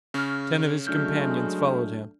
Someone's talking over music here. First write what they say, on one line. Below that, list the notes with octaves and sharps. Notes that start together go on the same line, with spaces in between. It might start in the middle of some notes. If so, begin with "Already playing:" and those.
Ten of his companions followed him.
C#3 C#4 G#4 F6
F#3 G#3 A3 D4 F6 G6